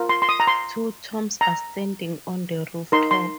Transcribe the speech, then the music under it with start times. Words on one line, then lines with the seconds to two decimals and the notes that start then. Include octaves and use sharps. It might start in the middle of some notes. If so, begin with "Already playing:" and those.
Two tombs are standing on the rooftop.
Already playing: F4 A#4
0.09 C6
0.22 C6
0.29 D#6
0.40 A#5
0.47 C6
1.41 A#5
2.92 D#4 A#4 C6
3.11 C6